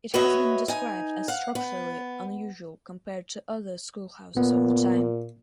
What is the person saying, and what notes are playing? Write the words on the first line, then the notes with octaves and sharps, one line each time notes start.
It has been described as "structurally unusual" compared to other schoolhouses of the time.
F#4 B4 C#5 D#5 E5
D#4 G#5
F5 F#5
B3
A#2 B3